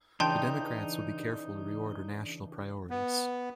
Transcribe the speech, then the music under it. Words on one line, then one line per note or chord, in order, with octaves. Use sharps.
The Democrats would be careful to reorder national priorities.
C#3 E3 D4 D#4 G5 A5 C6 G6
B3